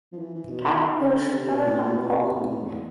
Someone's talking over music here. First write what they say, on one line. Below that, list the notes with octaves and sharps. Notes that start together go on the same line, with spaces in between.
Kyle Busch started on pole.
F3
E3
E3
B2
D#3
C#3
D3
C3
B2
A2
A#2
B2
C3
B2
G#2
A2
E2